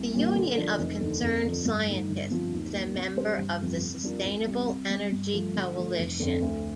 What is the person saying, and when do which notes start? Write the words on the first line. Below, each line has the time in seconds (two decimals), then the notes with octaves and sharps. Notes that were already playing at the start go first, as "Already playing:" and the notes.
The Union of Concerned Scientists is a member of the Sustainable Energy Coalition.
Already playing: C2
0.14 A#2 G3 A#3 F4
0.35 D3
0.57 F3 A#3 D4
0.78 F1
1.00 D#2 D3
1.22 F2
1.44 D3 F3
1.65 G2
1.87 D3 A3 D#4
2.09 G1
2.30 G2 F3 C4 F4
2.52 D#2
2.74 D#3 A#3
2.95 C3
3.16 G3 D4 G4 C5
3.38 G1
3.60 F2 C3 F3 C4
3.82 C3
4.03 G3 D4 F4 A#4
4.25 C2
4.47 C3 G3
4.68 C3
4.90 G3 C4
5.12 G2
5.34 F3 A3
5.55 D3
5.77 F3 A3
5.98 F1
6.20 F2 D3
6.42 D2